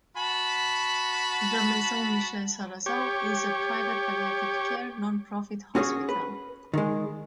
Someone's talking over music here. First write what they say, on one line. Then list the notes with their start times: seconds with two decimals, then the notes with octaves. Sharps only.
The Maison Michel-Sarrazin is a private palliative care, non-profit hospital.
0.16 F#4 A5 B5
2.86 G4 C#5
5.75 C#4 F#4 G#4 B4 C#5
6.09 B4
6.73 D#3 G#3